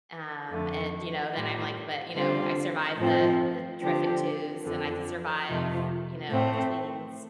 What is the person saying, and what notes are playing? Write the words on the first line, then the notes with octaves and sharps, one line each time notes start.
Um, and you know, then I'm like but you know, I survived the the terrific twos, and I can survive, you know, the tweens
F2 D3 A3
A2 G3 F4
D3 G3 C4 F4
A2 F3 C4
D3 F3 C4 G4
F2 D3 F3 C4
F2 C3 F3 A3 F4
A2 A3 C4